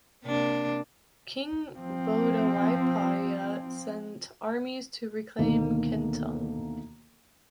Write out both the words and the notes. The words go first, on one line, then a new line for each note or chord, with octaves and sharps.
King Bodawpaya sent armies to reclaim Kengtung.
C3 A#3 D4
F3 C4
D2 B2 D#3 A#3